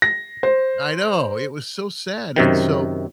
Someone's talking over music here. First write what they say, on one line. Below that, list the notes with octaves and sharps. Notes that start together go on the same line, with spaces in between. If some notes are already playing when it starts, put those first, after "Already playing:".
I know, it was so sad, and so,
A#6
C5
F#2 C3 D#3